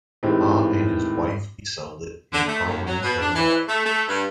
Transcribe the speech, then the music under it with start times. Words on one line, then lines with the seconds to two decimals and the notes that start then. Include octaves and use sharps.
Ha and his wife Lisa live in Berwyn, Illinois.
0.23 A2 D#3 E3 G#3 C4 G4
2.33 D3
2.48 A3
2.66 D#2
2.87 F#3
3.03 B2
3.20 D4
3.35 E3
3.69 A3
3.85 A3
4.08 G2